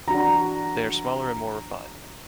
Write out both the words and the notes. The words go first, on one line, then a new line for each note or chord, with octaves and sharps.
They are smaller and more refined.
E3 D4 F#4 A#5